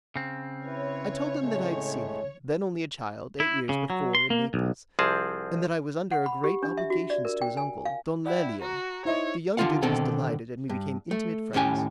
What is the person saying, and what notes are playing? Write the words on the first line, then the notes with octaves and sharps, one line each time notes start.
I told him that I had seen him, then only a child, eight years before in Naples, and that I was under great obligations to his uncle, Don Lelio. The young duke was delighted, and we became intimate friends.
C#3 C4
E4 B4 C#5
A2 G#3 A3
E4
C#3
F#3
C6
A#3
B1
C2 F3 C4 G#4 A5
F#5
B5
G4
D4
E5
F#4
D5
A#4
G5
G#5
F5
E4 D5 F#5 G5
F#4 A#5
D#4 E4 C5 C#5 D#5 E5
D#2 D3 C4 F4 F5 F#5
B2 D3 D#3 C4 A4
G2
A3
D#2 A2 C#4 G4 G#5